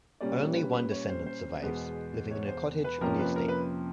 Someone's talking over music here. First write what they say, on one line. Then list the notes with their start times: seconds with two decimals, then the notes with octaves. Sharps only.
Only one descendant survives, living in a cottage on the estate.
0.21 A#2 G3 A#3 C#4 D5
0.56 B4
0.73 B4
0.92 C#5
1.09 C5
1.26 C5
1.62 E2 B2 G#3 B3
2.31 C#5
2.48 C5
2.84 B4
3.01 F2 C3 F3 A#3 C#4 A#4
3.19 B4
3.36 A#4
3.49 B4